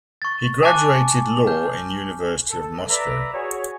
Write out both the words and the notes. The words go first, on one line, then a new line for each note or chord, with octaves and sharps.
He graduated law in university of Moscow.
C#6 A6
G#5 A5 D6 F#6
F6 G6
A4
B4 D5 E5 A#5
F#4 G#4 C#5